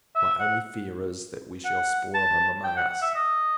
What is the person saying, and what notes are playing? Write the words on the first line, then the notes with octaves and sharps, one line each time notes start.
My only fear is, that we shall spoil him among us.
E5
F#5
F#5
A5
G5
F#5
F#5
E5
D#5